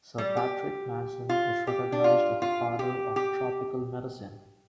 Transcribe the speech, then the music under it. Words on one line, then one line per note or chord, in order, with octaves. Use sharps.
Sir Patrick Manson is recognised as the Father of Tropical Medicine.
G3
G4
F4
G4
D4
F4
F4
G4
G4